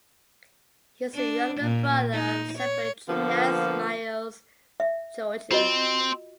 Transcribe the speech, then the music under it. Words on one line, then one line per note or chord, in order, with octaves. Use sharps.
He is the younger brother of Cypriot gymnast Marios Georgiou.
D4
A#2
D#4
C#5
D3 F3 A#3 B3 F4
E5
C4 F4 F#4 D#5